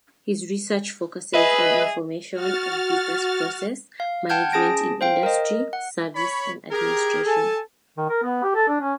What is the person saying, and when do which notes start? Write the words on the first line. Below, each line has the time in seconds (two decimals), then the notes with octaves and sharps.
His research focuses on information and business process management in industry, services and administration.
1.34 G#4 B4 D#5 E5 D#7
2.30 F#4 F6 A6
4.00 F5
4.29 F#5 G5 A5 F6 G6 G#6
4.52 C#4 G#4 A5 A#6 D7
5.01 C5 F5 G5
5.23 A#4 D#5
5.73 F#5
6.15 C#5 B5
6.71 G4 G#4 A#4
7.26 A4 G#5 A5
7.97 D#3
8.09 A#4
8.23 B3
8.43 G4
8.55 A4
8.68 D4
8.81 C#4